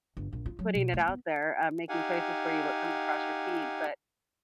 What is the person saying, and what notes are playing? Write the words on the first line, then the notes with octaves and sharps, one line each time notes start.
putting it out there, um, making choices for you what comes across your feed. But,
G1
A#1
F4
F#3
B2
A3
B3
D#4 G4 F5 F#5 G#5